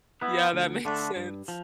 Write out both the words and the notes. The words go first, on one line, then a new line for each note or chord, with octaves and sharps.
Yeah, that makes sense.
B3 E4 B4
D2
D3 A3 D4
G2
F3